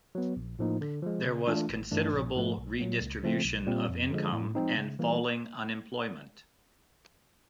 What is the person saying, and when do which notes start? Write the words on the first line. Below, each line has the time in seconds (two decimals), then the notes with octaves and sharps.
There was considerable redistribution of income and falling unemployment.
0.15 F#3 B3
0.36 A#1
0.59 A2 F3 A#3 D#4
0.81 D3
1.03 F3 G#3
1.25 C#3
1.47 E3 A3 D4 F4
1.69 G#1
1.91 G2 E3 A3 D4
2.13 A#1
2.35 G#2 F3 A3
2.57 B1
2.79 A#2 F#3 A#3
3.01 C#2
3.23 C#3 F3 A3 C4
3.45 B1
3.67 A#2 G3 C4
3.89 F2
4.11 D3 F3 G#3
4.32 A2
4.55 F3 G#3 C4 D#4
4.76 C#3
4.99 E3 G3 A#3